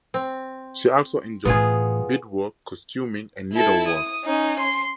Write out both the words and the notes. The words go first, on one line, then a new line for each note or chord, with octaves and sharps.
She also enjoys beadwork, costuming, and needlework.
C4
A2 E3 B3 F4 G#4
E4 A4
D#6
C#4 D#4
C6